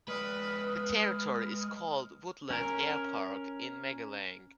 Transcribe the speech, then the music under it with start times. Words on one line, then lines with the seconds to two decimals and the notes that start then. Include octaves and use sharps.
The territory is called "Woodland Air Park" in Magalang.
0.08 G#3 B4 D5 D#6 F6
2.51 C#4 A#4